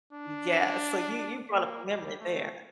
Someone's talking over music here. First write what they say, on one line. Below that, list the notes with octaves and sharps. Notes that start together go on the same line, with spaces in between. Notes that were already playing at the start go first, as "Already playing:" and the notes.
Yeah, so you you brought up a memory there.
D4
A#3
G3
A3